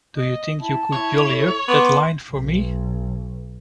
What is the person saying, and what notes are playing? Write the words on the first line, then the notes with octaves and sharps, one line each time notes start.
Do you think you could jolly up that line for me?
D#5
E4 A5
E4 C#5
A4
B3 C6 D6
B1